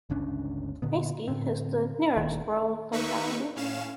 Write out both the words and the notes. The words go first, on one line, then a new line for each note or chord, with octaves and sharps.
Maysky is the nearest rural locality.
G1 C#2 C#4 D4
A#2 D3 B3
A2 D3 C4
D#1 D#2
D#2 A#3 D#4 B4 E5 C#6
A2 C#4 F5 E7